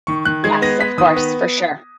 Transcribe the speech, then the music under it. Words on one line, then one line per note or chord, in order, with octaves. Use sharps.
Yes, of course, for sure.
D#3 C#6
D#3 F#6
G#3 G#6
B3 A#6
B3 B6
D#3 D#6
B3